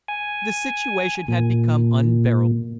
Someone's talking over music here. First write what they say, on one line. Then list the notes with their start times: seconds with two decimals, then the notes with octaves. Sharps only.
The situation had become unbearable.
0.08 G#5
1.28 A#2